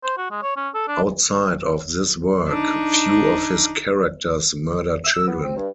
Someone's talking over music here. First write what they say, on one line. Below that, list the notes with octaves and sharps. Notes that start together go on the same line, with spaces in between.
Outside of this work, few of his characters murder children.
C5
F#4
G#3
C#5
C#4
A4
D4
D4 D#4
E6
B3
C4
G2